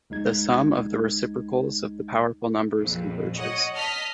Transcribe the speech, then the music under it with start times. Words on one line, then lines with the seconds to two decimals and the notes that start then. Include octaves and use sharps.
The sum of the reciprocals of the powerful numbers converges.
0.10 D2 G#3 D#4 G#6
2.77 A#1 F2
3.36 C#5 D#5 F#5
3.75 D#5 A5 F6 B6